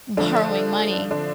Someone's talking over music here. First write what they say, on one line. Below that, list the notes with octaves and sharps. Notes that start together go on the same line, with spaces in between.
borrowing money
D3 F3 A3 D4
D3 D4